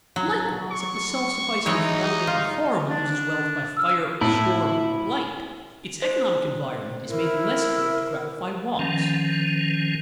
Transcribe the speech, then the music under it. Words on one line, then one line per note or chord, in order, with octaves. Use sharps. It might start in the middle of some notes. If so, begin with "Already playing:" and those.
Likewise, if the self-sufficing family on a farm loses wealth by fire or storm or blight, its economic environment is made less fitted to gratify wants.
F#3
C#6
E3 G#3 D#4 C#5
F4
D4
E6 F6
A2 E4
C5
E4 A#4
D#3 F3 C#4